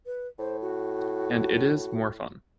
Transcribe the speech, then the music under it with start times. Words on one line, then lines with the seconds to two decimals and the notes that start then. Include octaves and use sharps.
And it is more fun.
0.06 B4
0.39 A2 C5
0.62 F#4